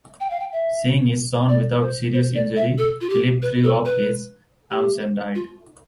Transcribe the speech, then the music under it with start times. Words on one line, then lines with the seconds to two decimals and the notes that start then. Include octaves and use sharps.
Seeing his son without serious injury, Philip threw up his arms and died.
0.20 G5
0.30 F5
0.40 G5
0.52 E5
1.49 D5
1.82 C5
2.14 C5
2.35 D5
2.56 E5
2.78 A4
3.01 F4
3.10 G4
3.42 B4
3.64 A4
3.85 B4
4.71 G4
5.35 F4